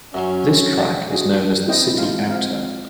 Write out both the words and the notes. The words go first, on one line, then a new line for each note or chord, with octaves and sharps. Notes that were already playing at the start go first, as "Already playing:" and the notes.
This track is known as the "City Outer".
F#2 F#3 C#4 C6
F#4 G#4
C4 E4 D#5 G5
G#3 F4 F5
C4 F5